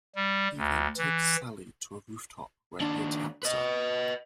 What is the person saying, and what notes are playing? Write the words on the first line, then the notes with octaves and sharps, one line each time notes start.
He then takes Sally to a rooftop where he attacks her.
G3
D2
E3
D#2 D4
B4 D#5